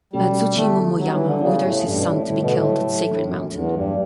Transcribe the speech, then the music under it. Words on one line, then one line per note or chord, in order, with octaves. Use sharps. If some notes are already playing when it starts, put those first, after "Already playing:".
Azuchi Momoyama orders his son to be killed at Sacred Mountain.
B2 G3 A3 C#4 F#4 A4
D3 F#3 A3 B3 E4 G4
F#3 G3 D4 G4
E3
D3
C#3 E3 B3 E4 G4
A2
G2 E3 A3 C#4
B2
A2
A2 D3 G3 C#4
B2
A2
C#3 F#3 A3 E4 G4
A2 E3 A3 D4
F#2
E2 F#3 A3 D4 A4
G2